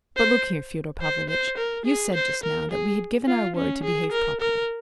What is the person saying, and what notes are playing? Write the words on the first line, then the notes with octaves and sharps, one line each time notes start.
But, look here, Fyodor Pavlovitch, you said just now that we had given our word to behave properly.
C5
C5
C5
A#4
G#4
C5
A#4
G#4
F4
C#4
G#4
A#4
A#4